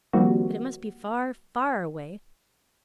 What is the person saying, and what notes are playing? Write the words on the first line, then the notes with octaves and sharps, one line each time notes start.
But it must be far, far away!
D#3 F3 G3 A#3 C4 F#4